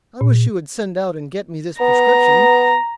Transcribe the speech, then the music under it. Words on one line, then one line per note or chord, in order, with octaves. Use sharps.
"I wish you would send out and get me this prescription."
A#2
B3 A#5